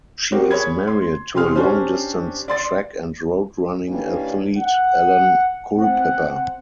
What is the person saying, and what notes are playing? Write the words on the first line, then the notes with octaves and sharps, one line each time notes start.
She is married to long-distance track and road running athlete Alan Culpepper.
C4 F#4 G4 A#4 C5
G#4 C#5 B5 G#6
C6
C3 G#4 C6 F6
C#4 D4 G4 C5
D5 C6 A6
D#3 E3 G3 A#3 C#4 D4
F#5
C4 F#5